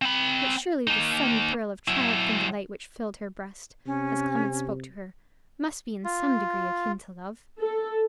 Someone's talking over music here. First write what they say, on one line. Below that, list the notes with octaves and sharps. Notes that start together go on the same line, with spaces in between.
But surely this sudden thrill of triumph and delight which filled her breast, as Clement spoke to her, must be in some degree akin to love.
C4 B5
A#3 D#4
F#3 E4
C3 C#4
F4
A4